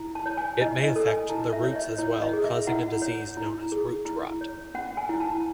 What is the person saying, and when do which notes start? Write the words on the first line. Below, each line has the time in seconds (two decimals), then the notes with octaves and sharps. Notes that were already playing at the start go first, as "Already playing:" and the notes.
It may affect the roots as well, causing a disease known as root rot.
Already playing: E4
0.15 A5
0.26 C#5
0.37 G#5
0.61 E4 D#5
0.83 D#5
0.96 A4
1.07 G#5
1.30 E4 A5
1.53 E5
1.64 C#5
1.75 D#5
1.98 E4 C#5
2.22 D#5
2.33 G#4
2.44 E5
2.67 E4 F#5
3.02 C#5
3.37 E4
3.72 G#4
4.05 E4
4.41 C#5
4.74 C#4 F#5
4.97 G#5
5.09 E4
5.20 A5